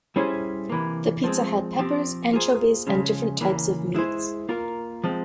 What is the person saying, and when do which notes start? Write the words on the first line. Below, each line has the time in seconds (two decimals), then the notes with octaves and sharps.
The pizza had peppers, anchovies, and different types of meats.
0.16 G3 C#4 E4 G#4 C5
0.69 C3 E3 A#3
1.24 F3 G#3 C4
1.79 F3 C4 G4
2.33 A#3 F4 G#4 C5
2.87 C#3 F3 G#3 C#4
3.41 C#3 E3 A#3
3.94 G#3 E4 G#4 C5
4.49 A#3 F4 A#4
5.04 F3 G#3 C4